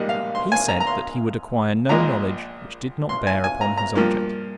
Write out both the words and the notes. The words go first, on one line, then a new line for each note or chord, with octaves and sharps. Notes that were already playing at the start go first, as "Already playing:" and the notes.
He said that he would acquire no knowledge which did not bear upon his object.
Already playing: A#1 G#2 G3 A#3 D#5
F5
C6
G#5
A#5
A#5
C6
A#1 A#2 G#3 A#5
C6
G#5
G#5
A#5
A#5
G2 F3 A#3